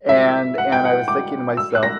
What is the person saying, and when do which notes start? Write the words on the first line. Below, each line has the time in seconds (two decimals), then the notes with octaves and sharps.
And and, I was thinking to myself,
0.09 E5
0.58 F#5
0.72 G5
0.85 F#5
1.08 D6
1.57 E6
1.75 F#6
1.83 A#6